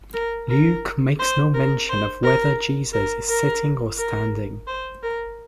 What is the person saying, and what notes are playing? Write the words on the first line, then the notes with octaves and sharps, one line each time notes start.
Luke makes no mention of whether Jesus is sitting or standing.
A#4
A#4
C5
A#4
C5
A#4
A#4
A#4
A#4
C5
A#4